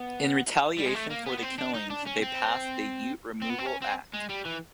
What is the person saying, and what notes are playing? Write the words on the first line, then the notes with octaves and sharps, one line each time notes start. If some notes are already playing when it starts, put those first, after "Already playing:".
In retaliation for the killings, they passed the Ute Removal Act.
Already playing: B3
G3
G#3
A3
A#3
B3
B3
C4
D4
D#4
D4
C#4
C4
C4
B3
C4
C#4
C4
G#3
G3
E3